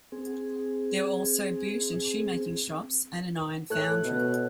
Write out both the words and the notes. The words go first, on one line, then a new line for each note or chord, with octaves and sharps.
There were also boot and shoemaking shops and an iron foundry.
C4 G#4
A2 A4 C#5 F#6
B2